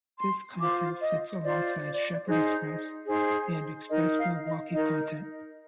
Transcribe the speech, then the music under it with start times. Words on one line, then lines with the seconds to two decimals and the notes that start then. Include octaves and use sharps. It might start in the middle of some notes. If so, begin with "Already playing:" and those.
This content sits alongside "Shepherd Express" and Express Milwaukee content.
0.19 C6
0.60 F4 C5 D6
1.01 D#5
1.42 F4 C5 D5
2.25 D#4 G#4 C5
3.07 D#4 G#4 C5
3.90 D#4 A#4 D#5
4.17 F5
4.45 D#5
4.72 D#4 A#4 D#5